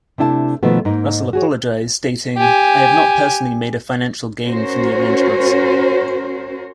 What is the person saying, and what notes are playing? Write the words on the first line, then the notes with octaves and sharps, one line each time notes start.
Russell apologised, stating: I have not personally made a financial gain from the arrangements.
C3 A3 D4 E4 G5 A5
B2 D#3 F3 A3 B3
G#2 A#3 D#4
F#4 G#4 C#5
G4 G#5
C#4 F#4 A#4 C5 C#5